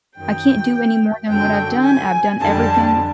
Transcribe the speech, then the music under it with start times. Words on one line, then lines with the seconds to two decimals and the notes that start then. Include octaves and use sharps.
I can't do any more than what I've done. I've done everything,
0.16 F#2 D#3 F#3 G5
1.27 F#2 D3 F#3 G5
1.83 G#5
2.39 F2 D3 G3 A5